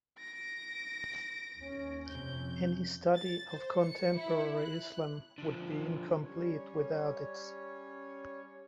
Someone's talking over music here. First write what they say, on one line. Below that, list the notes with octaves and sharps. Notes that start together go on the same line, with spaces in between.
Any study of contemporary Islam would be incomplete without it.
A#6 D7
D#2 C#4
F2 C3 C#4 G6
A6
C5
C#7
E4
F#6
D3 F3
G3 C#4 C#5